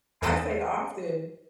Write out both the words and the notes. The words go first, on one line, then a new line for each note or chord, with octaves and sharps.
I say often
E2 A4 D#5 D#7 E7